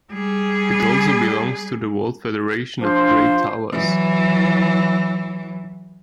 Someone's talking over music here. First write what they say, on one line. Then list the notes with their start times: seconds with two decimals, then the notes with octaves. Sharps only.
It also belongs to the World Federation of Great Towers.
0.12 G3 G#4
2.81 F3 D4 F4 C5
3.72 E3 F#3